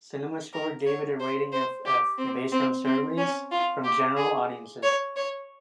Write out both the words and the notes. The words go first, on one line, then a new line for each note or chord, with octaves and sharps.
CinemaScore gave it a rating of "F" based on surveys from general audiences.
A#4
C#5
C5
C5
G4
C4
C4
C4
C#4
F4
G4
G#4
C#5
C#5